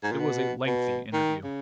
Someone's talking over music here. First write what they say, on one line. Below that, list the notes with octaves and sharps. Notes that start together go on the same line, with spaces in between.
It was a lengthy interview.
G#2
A#2
B2
B2
D#3
C#3